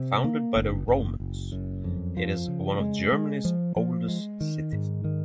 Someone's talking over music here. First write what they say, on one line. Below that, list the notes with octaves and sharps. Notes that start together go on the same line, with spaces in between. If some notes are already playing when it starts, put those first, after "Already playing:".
Founded by the Romans, it is one of Germany's oldest cities.
Already playing: C3
A#3
F#1
F#1
F#1
F#2
F2
F3
C#3
G#3
G#3
F3
F3
G#3
D#3
G#2
D#3